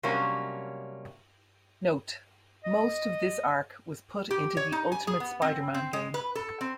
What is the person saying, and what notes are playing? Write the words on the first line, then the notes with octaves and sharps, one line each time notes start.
Note: Most of this arc was put into the Ultimate Spider-man game.
C3 F#3 G3 A#3 C#4 D4
D#5
G4
C#5
D#4
G#5
G#4
B3
C4
C4
G#3
B4
A4
C4